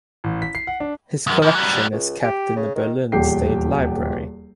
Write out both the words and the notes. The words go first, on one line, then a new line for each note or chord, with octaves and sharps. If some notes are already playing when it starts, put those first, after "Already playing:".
His collection is kept in the Berlin State Library.
A1
B6
C7
F#5
D4
C#2 F#2
E3 F3
F#3 G3
C#2
G4
C#3
D#3
D#1 E2 G4 G5 C7